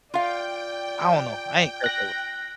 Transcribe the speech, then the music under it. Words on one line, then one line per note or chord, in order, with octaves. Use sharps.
I don't know. I ain't care for L
F4 D5 F5 G5
F#6 A#6